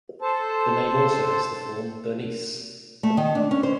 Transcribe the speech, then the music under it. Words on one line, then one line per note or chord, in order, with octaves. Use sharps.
The name also has the form Bernice.
A4 C5 A5
A3
D#3
D4
C#4
C5